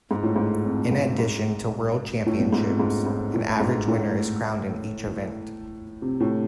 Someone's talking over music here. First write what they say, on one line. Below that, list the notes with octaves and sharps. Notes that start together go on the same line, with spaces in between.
In addition to world championships, an average winner is crowned in each event.
G#2
A2
G#2
F2
G#2
G#2
A2
B2
G#2
F2
G#2
G#2
A2
G#2
A2
C3
A2